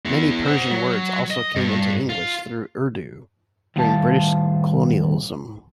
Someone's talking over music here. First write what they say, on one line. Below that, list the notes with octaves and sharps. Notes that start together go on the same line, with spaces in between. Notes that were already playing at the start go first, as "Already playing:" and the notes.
Many Persian words also came into English through Urdu during British colonialism.
B3 E4
C5 F#5
F#3
D#5
G2
F4
A2 D#3 G3 A3 F5 A5